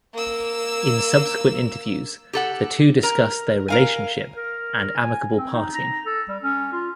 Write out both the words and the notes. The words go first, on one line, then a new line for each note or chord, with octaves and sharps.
In subsequent interviews, the two discussed their relationship and amicable parting.
A#3 E6
G4 A4 F#5
A#4
A#4 F5 G#5
A#4
G#5
C4
D#4
A#5
A4
G3
C#4
F4